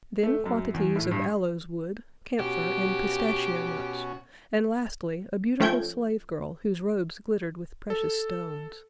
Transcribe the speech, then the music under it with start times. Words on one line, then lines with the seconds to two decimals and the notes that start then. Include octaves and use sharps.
Then quantities of aloes wood, camphor, and pistachio-nuts; and lastly, a beautiful slave girl, whose robes glittered with precious stones.
0.23 A3
0.46 F#2
0.74 E2
0.96 A2
1.11 G2
2.39 B2 C#4 F#4 G4
5.60 F3 A3 C#4 G5 G6 G#6
7.90 A4